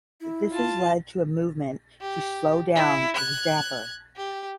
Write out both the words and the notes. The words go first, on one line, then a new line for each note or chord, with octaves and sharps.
This has led to a movement to slow down the zapper.
E4
F4 A5
G4
E4
F#6 G#6
G4